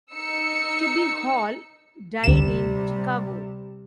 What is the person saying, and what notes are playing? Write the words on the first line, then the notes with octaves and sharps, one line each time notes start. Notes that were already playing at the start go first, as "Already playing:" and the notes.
Tubby Hall died in Chicago.
D#4 E6 C#7
D2 C3 G3 E7